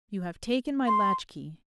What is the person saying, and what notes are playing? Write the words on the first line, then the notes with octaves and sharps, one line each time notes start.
'You have taken my latchkey.'
C6